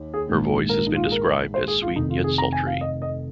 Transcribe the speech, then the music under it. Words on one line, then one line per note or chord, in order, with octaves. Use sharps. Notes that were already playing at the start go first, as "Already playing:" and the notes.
Her voice has been described as sweet yet sultry.
Already playing: D#2
G#4
A#1 G#2 D#3
A#4
D#4
F4
G#4
A#4
C5
G#4
F4
F1 F2 D#3 D#4
F4
G#4
A#5
G#5
F5
D#5
D#5